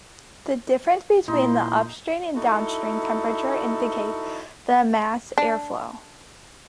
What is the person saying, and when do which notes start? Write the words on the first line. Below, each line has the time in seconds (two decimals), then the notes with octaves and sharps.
The difference between the upstream and downstream temperature indicates the mass airflow.
1.28 A#2 D#4 E4 C6
2.35 D#4 E4 F#4 A4
5.38 D4